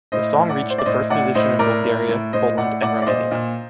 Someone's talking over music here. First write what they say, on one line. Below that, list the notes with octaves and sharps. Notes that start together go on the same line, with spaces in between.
The song reached the first position in Bulgaria, Poland and Romania.
A2 C5 D#5
A2
D5 F#5
A2
C5
D5
A2 C5 D#5
A2 D5 F#5
A2 C5 D#5
A2 A#4 D5
A2
A2
A2 C5 D#5
A2 D5 F#5
A2 D5 F#5
D5
A#2 C5 D#5
A#2